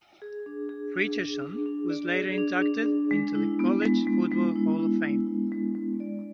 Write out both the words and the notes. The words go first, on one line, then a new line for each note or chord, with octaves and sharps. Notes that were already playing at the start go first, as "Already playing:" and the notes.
Richardson was later inducted into the College Football Hall of Fame.
G#4
D4
G#4
D4
D4
D4
D4
D5
G#4
D4
D4
D4
G#3
E4
B3
G#3
G#3
G#3
E4
E4
E4
E4
G#3
G#3
D5